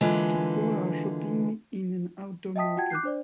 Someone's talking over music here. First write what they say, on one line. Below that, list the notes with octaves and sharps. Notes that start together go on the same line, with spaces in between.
People are shopping in an outdoor market.
D3 E3 G#3 A#3 F4 B4
D#5 E5 G5 A5 D#6 B6
F4 F#4 F#5 G5 A5 G#6
D6 F#6 G6 C7
D4 C5 D5